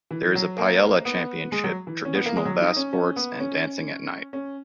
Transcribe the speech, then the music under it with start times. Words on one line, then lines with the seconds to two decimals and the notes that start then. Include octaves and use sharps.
There is a paella championship, traditional Basque sports and dancing at night.
0.11 E3
0.35 F#3
0.58 A#3
1.05 B3
1.52 G#3
1.64 F#3
1.87 E3
2.05 C#4
2.15 B3
2.26 A#3
2.36 G#3
2.45 F#3
2.62 D#4
2.77 C#4
2.93 C#4
3.16 B3
3.40 C#4
4.33 C#4